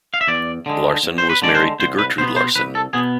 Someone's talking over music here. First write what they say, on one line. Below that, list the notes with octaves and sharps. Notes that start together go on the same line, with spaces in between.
Larson was married to Gertrude Larson.
F5
E5
E2 D5
D3 G#3
E2
C5
B4
D3 G#3 D5
C5
C2 C5
B4
B2 B3 C5
C5
C2 B4
A4
B2 B3 G#4